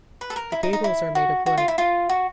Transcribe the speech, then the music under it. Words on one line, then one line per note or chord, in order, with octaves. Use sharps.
The gables are made of wood.
B4
A4
A#4
E4
D#4
D#4
E4
F#4
F#4
F4
E4
F4
F#4